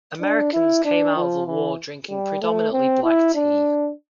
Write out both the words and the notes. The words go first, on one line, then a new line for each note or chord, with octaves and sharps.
Americans came out of the war drinking predominantly black tea.
D4
E4
D4
F3
E3
G3
A3
C4
E4
D4